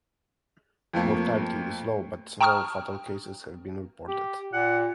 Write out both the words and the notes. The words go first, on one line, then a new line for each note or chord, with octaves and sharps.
Mortality is low, but several fatal cases have been reported.
F2 F3 A3 A#3
G5 A5 A#5 C#6 D#6 F6
G4
A#2 F#5